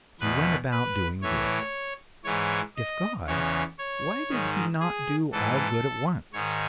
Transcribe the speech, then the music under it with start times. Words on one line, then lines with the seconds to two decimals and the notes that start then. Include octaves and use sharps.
He went about doing good: if God, why did he not do all good at once?
0.20 E2 B2 B4
0.71 B4
1.22 A2 E3 C#5
2.24 G#2 E3 C#5
2.76 D#5
3.27 E2 C#3 E3 C#5
3.79 C#5
4.29 G#2 D#3
4.80 G#4
5.32 G#2 E3 A4
6.33 G#2 D#3 C#5